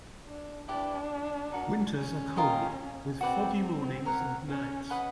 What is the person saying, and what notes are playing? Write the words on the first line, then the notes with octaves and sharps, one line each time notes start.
Winters are cold with foggy mornings and nights.
D4
D4 E4 G4 B4 D5
D#4 F#4 A#4
C#4
F4 A#4 D#5 G5
C4 F#4 B4 D5 G5
A#4 C#5 F#5
C#4
B4 D#5 F#5 B5